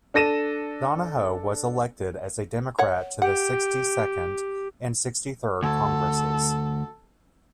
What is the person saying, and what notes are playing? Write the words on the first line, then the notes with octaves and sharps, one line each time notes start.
Donohoe was elected as a Democrat to the Sixty-second and Sixty-third Congresses.
D4 A4 A#6 D#7 E7
C#5 F#5
G4 F#5
D2 A4